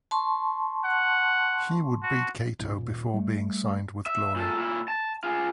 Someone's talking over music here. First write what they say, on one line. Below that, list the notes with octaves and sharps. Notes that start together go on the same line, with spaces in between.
He would beat Kaito before being signed with Glory.
A5 C6 C#6
F#5
F#4
C2 A2
D#1 A#2
G3 A3
E5
A#2 A4
A#2 E4
A5
F4 G#4